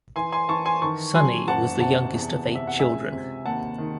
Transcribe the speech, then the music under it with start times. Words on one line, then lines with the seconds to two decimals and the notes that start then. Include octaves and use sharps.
Sonny was the youngest of eight children.
0.16 E3 G#5 C6
0.32 G#5 C6
0.49 E3 A5 C#6
0.65 G#5 C6
0.82 D#3 A5 C#6
1.15 F#3 G#5 C6
1.48 F#1 F#5 A5
1.80 C3 F#5 A5
2.14 E2
2.47 C3
2.55 E5
2.67 F#5
2.79 C#2 E5 G#5
3.12 C3
3.46 D#2 F#5 A5
3.78 D#3